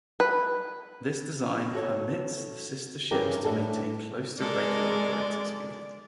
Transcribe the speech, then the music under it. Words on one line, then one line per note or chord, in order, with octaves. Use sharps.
This design permits the sister ships to maintain close to regular operating speed.
B4
F#4 A4 C#5
G2 C#3 E3 G4 A#4
A2 A3 D4 A4
G#3 A4 A#4 D5